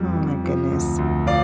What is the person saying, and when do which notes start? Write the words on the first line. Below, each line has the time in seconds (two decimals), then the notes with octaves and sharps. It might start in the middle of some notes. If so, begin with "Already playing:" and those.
Mm, my goodness.
Already playing: F2 G3
0.17 F2
0.44 F3
0.71 D2
0.99 D2
1.26 F3 D5 F5